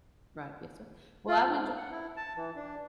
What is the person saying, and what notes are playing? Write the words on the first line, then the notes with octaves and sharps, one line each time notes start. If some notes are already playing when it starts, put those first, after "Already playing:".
Right, yes, sir, well, I've enjo
F4
G#2
F#5
E4
A5
E3
D4